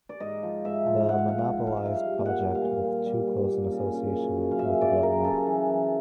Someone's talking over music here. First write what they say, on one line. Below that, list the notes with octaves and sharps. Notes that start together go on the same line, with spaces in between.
The monopolized project with too close an association with the government.
D5
G#2 D#5
F3
G#2 E5
F3
F3 F#5
F5
F3 F#5
F#5
G#2
F5
F3 E5
F5
G3 F5
A#2
F#5
G3
F5
A#2
A#2
G3
G3
A#2
C#3
C#3
F#2
F#2
F5
C#3 E5
F#2 D5
F#2 A#4
C#3 A4
E3
E3